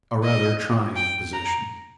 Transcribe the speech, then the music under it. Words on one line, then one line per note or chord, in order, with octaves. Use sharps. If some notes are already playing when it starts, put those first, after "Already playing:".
A rather trying position.
D#5
G5
A#5